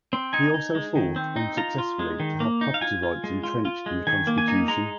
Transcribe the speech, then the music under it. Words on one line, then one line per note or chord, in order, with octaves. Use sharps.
He also fought, unsuccessfully, to have property rights entrenched in the constitution.
C4
D#4 G#5
D#4
G#3
D#3
C4
D#4
F4 A#5
F4
G#3
D#3
A#3
D#4
F5
F4 G#5
F4
G#3
F4
F4
G#3
D#3 G#5
A#3
G#5
D#4
G#3 A#5